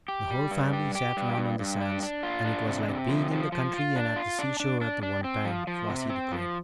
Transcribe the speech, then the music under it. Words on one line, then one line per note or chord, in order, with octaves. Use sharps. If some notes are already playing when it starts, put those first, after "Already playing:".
The whole family sat around on the sands, and it was like being in the country and at the seashore at the one time, Flossie declared.
G4
G3
G2
G4
G4
G2
G2
G2
D4
D4
F4
D4
C3
C3
F3
F3
F3
F4
D4
F4
D4
D4
D4
D4
C4
F3
F3
C3
C4
F3